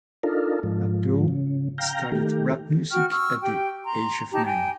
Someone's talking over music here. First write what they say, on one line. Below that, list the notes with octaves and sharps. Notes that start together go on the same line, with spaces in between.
Abdul started rap music at the age of nine.
D4 D#4 F4 A4 A#4
G#2 F3
C#3
F5 G5 A#5
D#3 A3 G4
F#4 G5 C#6 F6
C#6 E6 F6
G4 G5
A#5 C6
D#4 G4 A5
G5 G#5